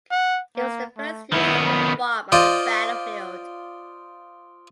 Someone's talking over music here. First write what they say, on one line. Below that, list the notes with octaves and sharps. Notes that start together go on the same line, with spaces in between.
It was the first use of the bomb on the battlefield.
F#5
A#3
A3
D#3 B3 E4
B5
F4 C5 D5 D#5